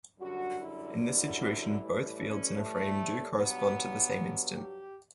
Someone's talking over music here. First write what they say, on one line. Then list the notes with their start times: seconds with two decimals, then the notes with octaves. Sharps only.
In this situation both fields in a frame do correspond to the same instant.
0.20 F#2 D3 G3 F#4
0.60 E4
1.00 E4
1.79 A2 E3 G3
2.18 C#4
2.57 A3
3.36 G2 F#3 B3
4.55 G4